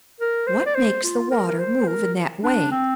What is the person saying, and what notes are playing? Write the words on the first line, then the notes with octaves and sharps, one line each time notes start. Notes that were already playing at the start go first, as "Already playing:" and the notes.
What makes the water move in that way?
A#4
C5
D5
C5
F4
A#4
A#4
C5
A#4
D4
C4